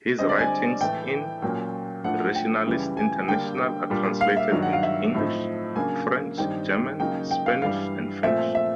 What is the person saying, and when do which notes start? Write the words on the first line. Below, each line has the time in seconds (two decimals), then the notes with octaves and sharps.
His writings in "Rationalist International" are translated into English, French, German, Spanish and Finnish.
0.19 D3 G3 C4 D#5
0.29 D5
0.39 G#5
0.81 A2 E3 A3 G5
1.42 A#2 F#3 A#3 C#4 G5
2.04 A2 F3 A3 D4 F#5
2.35 G5
2.66 F#2 C#3 E3 G3
2.97 G#5
3.28 D3 G3 A#3 D4 G5
3.90 A#2 G3 A#3 D4
4.21 F5
4.37 E5
4.52 G2 D#3 F#3
4.62 F#5
4.73 F5
4.83 E5
5.14 A2 F3 A3 C4 D#4
5.76 C#3 F#3 A#3 D4 G#5
6.37 G2 D#3 G3 C4 D#4 G5
7.00 C#3 F#3 A#3 D#4 G5
7.31 G5
7.46 F5
7.62 G2 E3 G3 F5
8.23 A#2 F3 A3 C4 E5
8.55 E5